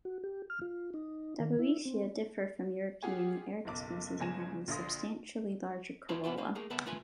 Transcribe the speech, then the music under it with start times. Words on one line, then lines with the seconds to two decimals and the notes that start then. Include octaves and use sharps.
"Daboecia" differ from European "Erica" species in having a substantially larger corolla.
0.05 F#4
0.24 G4
0.50 F6
0.62 F4
0.94 D#4
1.40 D#3
1.59 E4
1.85 C4
3.03 F4 G4 G#4 F#5 G#5
3.65 F#1 B1 D6
4.20 G1 C#3 G#5 A#6 E7
4.68 A#1 D3 F5 C6 D#6 A#6
6.09 E2 E4 F4 D5 A5
6.24 C3 B3 E4 F4
6.38 A3 F5
6.55 A3 A#3 G#4
6.70 C#2 B3 B4 D5 E5 A5
6.86 A3 F4 B4 G#5